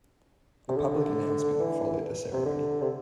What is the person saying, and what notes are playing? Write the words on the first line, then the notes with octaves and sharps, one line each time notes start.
A public announcement followed the ceremony.
C3
D3
E3
C3
D3
C3